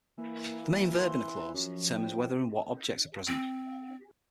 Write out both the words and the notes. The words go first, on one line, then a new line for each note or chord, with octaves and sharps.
The main verb in a clause determines whether and what objects are present.
E3 A#3 E4
C6
F#2 F3 F#4
D1 G5
C4